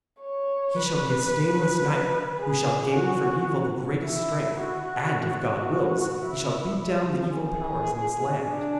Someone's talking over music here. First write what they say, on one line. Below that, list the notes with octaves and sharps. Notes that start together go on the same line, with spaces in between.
'He shall be a stainless knight, who shall gain from evil the greatest strength, and, if God wills, he shall beat down the evil powers in this land.'
C#5
B4
G#4
F#4
E4
F#4
F#4
E4
G#4
D4